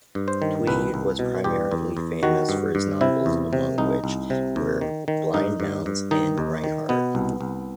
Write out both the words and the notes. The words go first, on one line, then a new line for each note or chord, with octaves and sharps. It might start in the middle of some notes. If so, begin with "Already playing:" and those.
Tweed was primarily famous for his novels, among which were "Blind Mouths" and "Rinehard".
G2
C5
D#3
C2 B4
C2
B2
E2 G4
E2
E2
D#3 F#4
G2
G2
C3 E4
E2
C3
C2 D#4
C2
C3
D#2
D#3
D#3
G2 D#4
G2
G2
D#3 D#4
D#2
D#3
B2 B3
C2
C2